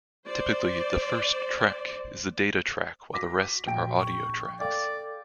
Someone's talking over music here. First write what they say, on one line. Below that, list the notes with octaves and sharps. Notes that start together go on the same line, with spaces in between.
Typically the first track is a data track while the rest are audio tracks.
C5 D5
F#4 D6 A#6 B6
A#1 G5 D7
C#6
A4 D5 F5 G5